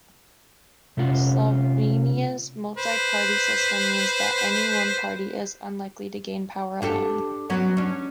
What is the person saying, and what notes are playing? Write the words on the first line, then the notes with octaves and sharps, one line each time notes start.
Slovenia's multi-party system means that any one party is unlikely to gain power alone.
C3 A3 C#4 F4 A#4 F#5
B4 C5
D4 G4 A4
F#3 B3 C#4
C#4 D4